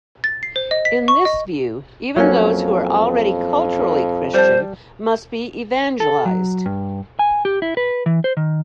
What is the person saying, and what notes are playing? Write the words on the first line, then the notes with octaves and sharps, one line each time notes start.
In this view, even those who are already culturally Christian must be "evangelized".
A6
C7
C5
D#5
B6
C#6
D#5
F2 F#3 A#3 C#4
G3 C5 A5
A4
F#3
G2
G#5
G4
E4
B4
E3
C5
D#3